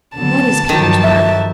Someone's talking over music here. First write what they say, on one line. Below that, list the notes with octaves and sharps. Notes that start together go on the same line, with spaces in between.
What is Petersburg?
D3 F#3 B3 A5
G2 D#3 F3 F#3 G4
F2 E5